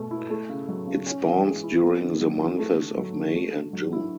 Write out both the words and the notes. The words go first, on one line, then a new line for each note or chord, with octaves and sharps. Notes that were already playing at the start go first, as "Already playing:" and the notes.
It spawns during the months of May and June.
Already playing: B2 A3
E4
A3
C#3
F#3
C#3
C#4
E3
G#3
E4
B3
D3
F#3
E4
A3
D3
F#3
D3
A3
D3
F#3
E4